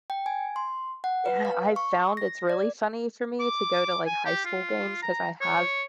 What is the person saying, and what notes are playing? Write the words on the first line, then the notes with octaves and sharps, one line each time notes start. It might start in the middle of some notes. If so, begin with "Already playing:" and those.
uh, I found it's really funny for me to go to, like, high school games 'cause I have
G5
G#5
C6
F#5
B4
F5
C#6
A#6
D5
D6
G#5
G4
F4
A#5
C#5